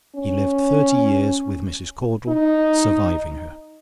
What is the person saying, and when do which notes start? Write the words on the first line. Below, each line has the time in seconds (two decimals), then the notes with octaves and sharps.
He lived thirty years with Mrs. Caudle, surviving her.
0.15 C#4
2.29 D#4